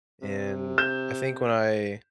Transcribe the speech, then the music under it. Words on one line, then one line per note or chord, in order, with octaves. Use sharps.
And, I think when I
C3
G6 E7